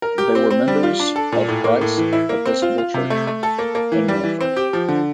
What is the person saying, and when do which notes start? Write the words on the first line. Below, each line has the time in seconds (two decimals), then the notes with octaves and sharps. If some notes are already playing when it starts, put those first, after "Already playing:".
They were members of Christ Episcopal Church in Milford.
0.02 A#4
0.18 G4
0.35 C4
0.51 C4
0.68 G3
0.83 F4
1.00 D4
1.16 A4
1.32 A#2
1.48 A2
1.64 A#3
1.81 A2
1.97 E3
2.13 E4
2.29 A#3
2.46 C4
2.62 F4
2.78 F4
2.94 C3
3.10 A3
3.27 A3
3.43 A4
3.59 A#3
3.75 A#3
3.92 E3
4.08 G3
4.24 E3
4.41 C4
4.57 G4
4.73 F3
4.88 D3